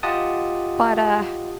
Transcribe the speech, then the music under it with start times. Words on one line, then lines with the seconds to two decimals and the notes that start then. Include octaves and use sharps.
But, uh
0.03 F4 G4 D#5 F#5 A5 D#6